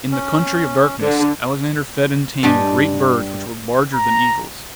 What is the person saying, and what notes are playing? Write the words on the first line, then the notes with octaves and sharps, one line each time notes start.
"In the Country of Darkness" Alexander fed and tamed great birds which were larger than eagles.
C#4
D3
G2 G3 G4 D#5 G#5
A#5